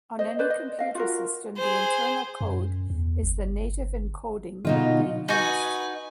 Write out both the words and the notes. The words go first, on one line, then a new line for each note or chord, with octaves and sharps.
On any computer system, the internal code is the native encoding being used.
C5 D#5
B4 C5 D5
D#5
D#5 F5
F4 F#4 A#4
G#4 C5
F#2
E2
G1
B2 D3 D#4 F4
D#4 F#4 B4 G#5